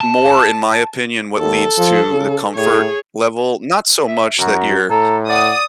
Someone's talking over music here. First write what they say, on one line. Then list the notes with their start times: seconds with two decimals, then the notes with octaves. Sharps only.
more in my opinion what leads to the comfort level. Not so much that you're
0.01 A5
1.38 D#2 A4
1.78 F3
2.10 C#3
2.55 A2 G#4 C#5
4.07 E5
4.39 F#2 F#4 A#5
4.90 A2 A4 A#5
5.29 D5 F#5 D#6